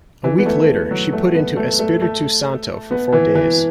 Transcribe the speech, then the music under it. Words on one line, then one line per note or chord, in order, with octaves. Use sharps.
A week later, she put into Espiritu Santo for four days.
E3
B3
A3
F#3
A3
B3
A3
A3
A3
B3
E3
E3